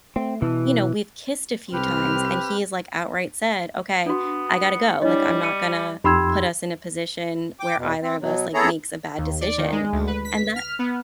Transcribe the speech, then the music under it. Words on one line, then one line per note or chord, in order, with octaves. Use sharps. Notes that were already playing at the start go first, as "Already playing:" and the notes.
you know, we've kissed a few times, and he has, like, outright said, "Okay. I gotta go, like, I'm not gonna put us in a position where either of us, like, makes a bad decision." And that
A3 C4
B2 E3
C2 C4 G4 B4 F6
B3 D4 F#4
C#7
G3 D4 E4 C#5 D#5
C#7 D#7
F2 D#4 G4 G5 B5 C6 E6 G#6
G5 D6
E2 B2
C4
B2 F#3
B3 E4 G#4 A4 C#5 A#5
D#2
D5
D#3
G#3
D2
B4
B6
F6
B3